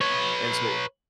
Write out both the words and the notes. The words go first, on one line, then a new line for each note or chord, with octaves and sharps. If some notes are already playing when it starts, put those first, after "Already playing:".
and so
B4 C#5